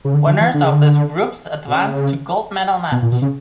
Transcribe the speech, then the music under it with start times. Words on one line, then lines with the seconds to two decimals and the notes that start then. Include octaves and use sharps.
Winners of this groups advanced to gold medal match.
0.05 C#3
0.14 D3
0.27 D3
0.40 E3
0.54 D3
0.63 C#3
0.72 D3
1.68 B2
1.73 C#3
2.92 B2
3.02 A#2
3.12 B2
3.22 C#3